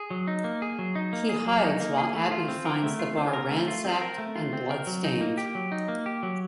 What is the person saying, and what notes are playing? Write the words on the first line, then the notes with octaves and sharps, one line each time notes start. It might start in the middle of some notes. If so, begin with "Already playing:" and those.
He hides while Abby finds the bar ransacked and bloodstained.
Already playing: G#4
F#3
D#4
A#3
G#4
F#3
D#4
A#3
G#4
F#3
D#4
A#3
G#4
A3
F4
C4
A#4
A3
F4
C4
A#4
A3
F4
C4
A#4
A3
F4
C4
A#4
F#3
D#4
A#3
G4
F#3
D#4
A#3
G4
F#3